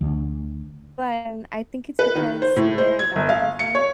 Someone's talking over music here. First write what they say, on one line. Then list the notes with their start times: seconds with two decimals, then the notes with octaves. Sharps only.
but I think it's because where I adopted her from,
0.01 D2
1.99 B4
2.15 D#3
2.42 C5
2.56 A2
2.78 C5
2.99 G#6
3.16 G1
3.29 F5
3.59 C#7
3.75 C#5